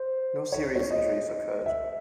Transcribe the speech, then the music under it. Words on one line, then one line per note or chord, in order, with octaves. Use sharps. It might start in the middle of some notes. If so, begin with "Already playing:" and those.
No serious injuries occurred.
Already playing: C5
C#5
C5
C#5
D#5
E5